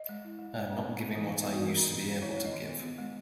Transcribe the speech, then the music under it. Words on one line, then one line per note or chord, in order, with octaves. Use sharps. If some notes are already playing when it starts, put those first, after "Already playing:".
I am not giving what I used to be able to give.
Already playing: D#5
G#3
E4
G#3
G#3
C#4
B3
D#4
E3
D#4 D#5
B3 B4
F#4
E3 A#4
C#4
C#4
C#4
E4 C#5
G#3
D#5
D#3
B3
B3
G#3